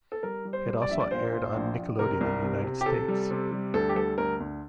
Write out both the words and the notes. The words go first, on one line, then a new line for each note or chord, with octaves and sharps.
It also aired on Nickelodeon in the United States.
A4
G3 A#4
G3
C5
G3
D5
A#1 E5
D5
A#2 C5
A#2
A#1
A#1
C3 A#4
C2
C3
C3
G4
C3 A4
G3
C3
G3
D2 A4
G4
G3 A4
D2 A#4
D2